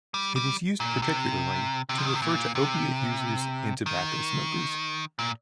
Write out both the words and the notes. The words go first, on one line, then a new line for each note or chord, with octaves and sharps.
It is used particularly to refer to opiate users and tobacco smokers.
G3
G3
A#2
C3
C3
F3
D#3
C3
A#2
C3
D#3
A#2